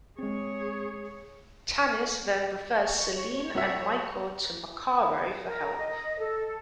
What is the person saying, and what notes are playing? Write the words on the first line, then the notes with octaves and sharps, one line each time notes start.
Tanis then refers Selene and Michael to Macaro for help.
G#3 C4 G#4 C#5
C#5
C2 F#4 E5
A#4
D#5
A4